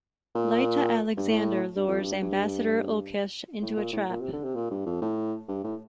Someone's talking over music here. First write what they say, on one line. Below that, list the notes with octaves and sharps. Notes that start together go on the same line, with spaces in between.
Lyta Alexander lures Ambassador Ulkesh into a trap.
A#2
G2
A2
G2
F2
G2
G2
A2
A#2
A2
A#2
C3
D3
C3
A#2
G2
F2
A2
G2
A2